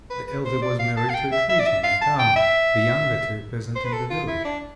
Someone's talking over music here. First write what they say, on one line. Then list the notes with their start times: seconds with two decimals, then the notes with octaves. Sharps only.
The elder was married to a tradesman in town, the younger to a peasant in the village.
0.10 B4
0.27 B4
0.45 C5
0.62 D5
0.79 F5
0.97 A5
1.10 F5
1.14 G5
1.32 E5
1.49 E5
1.59 D5
1.66 E5
1.84 F5
2.01 A5
2.19 G5
2.36 E5
3.75 C5
3.85 B4
3.92 A4
4.10 F4
4.28 E4
4.45 D4